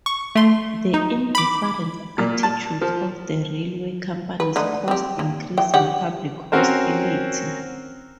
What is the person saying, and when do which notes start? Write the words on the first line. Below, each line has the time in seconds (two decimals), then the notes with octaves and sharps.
The indifferent attitudes of the railway companies caused increasing public hostility.
0.06 C#6
0.36 A3 C6
0.94 D#4
1.35 B5 D6
2.18 A#2
2.43 A5
2.81 F3
4.40 B4
4.56 D3 A3 D#4
4.88 C4 G4
5.19 A#3
5.58 E3 G5
5.73 C#3 G4 F#5
6.52 C4 C#4 F#4 A#4 C5